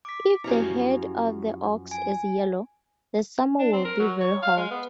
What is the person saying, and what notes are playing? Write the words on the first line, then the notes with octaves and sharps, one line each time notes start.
If the head of the ox is yellow, the summer will be very hot.
D6 B6
F#2 F3 E4 G4 A#5
G#5
D4
C4
A#4
F#3
C#5
F5
G#3
B3